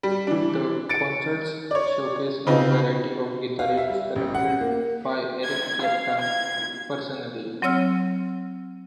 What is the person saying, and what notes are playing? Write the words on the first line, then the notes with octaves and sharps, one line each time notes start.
The concerts showcase a variety of guitarists, selected by Eric Clapton personally.
G3
E3 D4
A6 C#7 D7
C#5 D5
C#3 C4 D#4 F4 B4
F5
E5
G3
A1
F#5
A#3
G#6
F5
G#6
F#3 C4 C#5 E6 F6